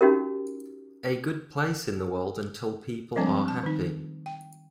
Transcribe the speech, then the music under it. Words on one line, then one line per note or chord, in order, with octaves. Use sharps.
A good place in the world until people are happy.
C#4 D#4 F#4 G4 A#4
F3 G3 G#3 C4 D4
A5
D#3 D#4
G5